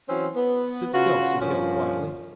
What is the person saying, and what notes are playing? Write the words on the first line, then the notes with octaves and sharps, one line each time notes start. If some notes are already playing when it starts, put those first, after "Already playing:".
"Sit still," said Hale, quietly.
E3 F#3 C4 C#4
B3
C#3 F4 F#4
G2 A#2 F3 C#4